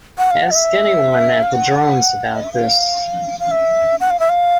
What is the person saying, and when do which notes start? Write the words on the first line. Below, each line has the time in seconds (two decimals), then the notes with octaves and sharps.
Ask anyone at the Drones about this.
0.18 F#5
0.31 F5
0.43 F#5
0.51 D#5
0.55 E5
1.43 F5
1.54 F#5
2.35 D#5
2.44 E5
2.53 F5
3.40 F5
3.51 E5
4.01 F#5
4.10 F5
4.20 E5
4.29 F5